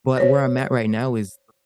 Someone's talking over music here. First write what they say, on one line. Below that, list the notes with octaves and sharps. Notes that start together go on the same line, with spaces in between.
But where I'm at right now is
C5 C#5